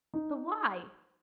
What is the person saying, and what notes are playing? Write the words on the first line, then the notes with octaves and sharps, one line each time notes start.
"But why?"
D#4